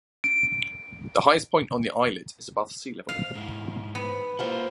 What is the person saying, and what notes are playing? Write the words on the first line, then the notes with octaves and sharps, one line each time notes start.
The highest point on the islet is above sea level.
D7
F5
G#2 E4
B3
A#3 E4 F4 A#4 C5 F#5